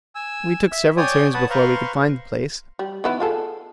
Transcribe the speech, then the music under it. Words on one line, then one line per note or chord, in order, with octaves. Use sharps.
We took several turns before we could find the place.
G#5 E6
E5
C#5 D5 G5 G#5 D#6
B4 F#5 A5 D#6
B4 C5 F5 A#5 C6 C#6
G3
D#3 B3 E4
F4 G#4 A4